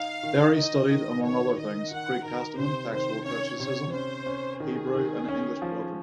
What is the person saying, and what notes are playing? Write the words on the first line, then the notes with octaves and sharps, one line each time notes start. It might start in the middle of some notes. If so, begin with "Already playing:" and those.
There he studied, among other things, Greek testament textual criticism, Hebrew, and English poetry.
Already playing: D#4 F5
D#3
D#4 D#5
D#3
D#3 C#5
D#3 D#5
D#3 F#5
D#3 A#4
C3 C5
D#3 C5
C#4 C#5
C3 C#5
C#4 C5
C#4
D#3 G#4
D#3
C#4
F3